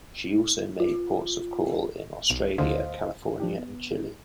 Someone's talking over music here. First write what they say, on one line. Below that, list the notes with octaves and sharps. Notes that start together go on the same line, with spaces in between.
She also made ports of call in Australia, California, and Chile.
F4
B1
D2 D3 C5 D#5 F5
F3 D4 G4
B3